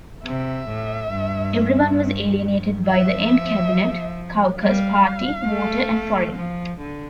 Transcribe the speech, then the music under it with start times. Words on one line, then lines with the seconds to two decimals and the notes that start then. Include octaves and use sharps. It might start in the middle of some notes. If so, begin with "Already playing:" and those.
Everyone was alienated by the end-Cabinet, caucus, party, voter and foreigner.
0.25 C3 E5
0.69 A2
1.12 G2
2.87 F3 E5
4.61 G3 F5
5.48 A3
6.36 F3
6.79 D3